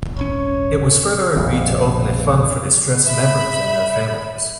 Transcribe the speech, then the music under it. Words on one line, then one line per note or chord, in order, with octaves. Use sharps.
It was further agreed to open a fund for distressed members and their families.
D#1 G#1 C#4 C#5
A#1 F2 B2
E5 B5